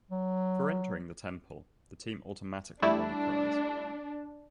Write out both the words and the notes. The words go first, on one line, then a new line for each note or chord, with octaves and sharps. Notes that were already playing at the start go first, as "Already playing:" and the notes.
For entering the temple, the team automatically won a prize.
F#3
G3 A3 D4 E4